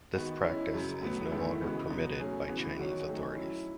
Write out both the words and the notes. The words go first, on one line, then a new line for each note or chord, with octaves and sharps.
This practice is no longer permitted by Chinese authorities.
D#3 G#3 B3 F#4
G#3 C#4 E4
F#2 C#3 F#3
A2 F#3 B3
G#2 D#3 A3 E4 A4
C#3 E3 G#3 B3 F#4
B2 F#3 B3
F#3 A3 C#4 G#4
C#3 E3 B3 F#4
D#3 F#3 C#4 F#4 C#5
D#3 F#3 A3 D#4 G#4
F#3 C#4 E4